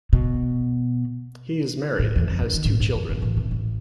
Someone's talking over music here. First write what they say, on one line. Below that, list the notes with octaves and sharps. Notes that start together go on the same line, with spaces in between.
He is married, and has two children.
B2
A2
E2
F2
G1
D#3
G#2
G#2
F2
G#1
A1
C3
A1